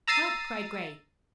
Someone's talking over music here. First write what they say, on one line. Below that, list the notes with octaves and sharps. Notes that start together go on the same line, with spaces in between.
"Help!" cried Grace.
A#5 E6 A6 C7 D#7